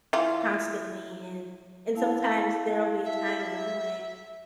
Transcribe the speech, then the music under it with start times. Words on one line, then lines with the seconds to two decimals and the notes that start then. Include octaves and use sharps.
constantly, and and sometimes there'll be a time where I'm like,
0.13 E3 F4
1.95 E4 F5 A5
3.05 E5